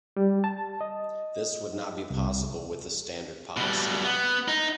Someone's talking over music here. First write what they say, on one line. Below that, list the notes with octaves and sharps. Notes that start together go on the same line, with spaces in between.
This would not be possible with the standard policy.
G3
A5
D#5
C2
B2 G3
B3
D#4